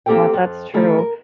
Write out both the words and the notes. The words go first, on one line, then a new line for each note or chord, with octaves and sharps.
Yeah, that's true.
A#3 C4 G4 A4 C5 G5
F2
D#3 G3 A3 E4 F4
A#4